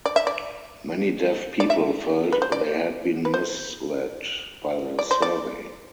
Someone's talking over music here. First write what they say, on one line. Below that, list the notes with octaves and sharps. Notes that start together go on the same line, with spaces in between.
Many Deaf people felt they had been misled by the survey.
D5
E5
D5
D5
E5
B4
C5
D5
B4
C5
D5
C5
D5